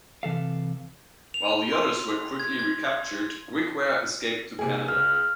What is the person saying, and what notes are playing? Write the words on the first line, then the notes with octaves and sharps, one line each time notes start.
While the others were quickly recaptured, Grigware escaped to Canada.
C3 E3 A4 F5
F7
C6
G#6
G#6
C3 A#3 G#4
C#2 F6